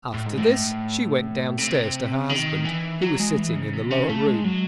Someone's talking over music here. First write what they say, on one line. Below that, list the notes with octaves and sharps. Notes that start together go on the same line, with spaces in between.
After this she went downstairs to her husband, who was sitting in the lower room.
A2
G#2
A2
C3
D#3
E3
F#3
G#3
E3
C#3
C3
C#3
A3
G#3
F#3